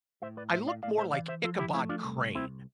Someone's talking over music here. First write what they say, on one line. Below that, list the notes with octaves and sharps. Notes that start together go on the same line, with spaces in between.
I looked more like Ichabod Crane
A2 C5 E5
B4 D5
A2 C5 E5
D5 F5
A2 D5 F5
C5 E5
E3 D5 F5
C5 E5
F3 F4 A4
E4 G4
A3 C4 E4
D4 F4
C2
C2 C4 E4